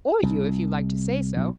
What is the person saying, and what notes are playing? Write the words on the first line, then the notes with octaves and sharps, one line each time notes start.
"Or you, if you like to say so."
C2
B1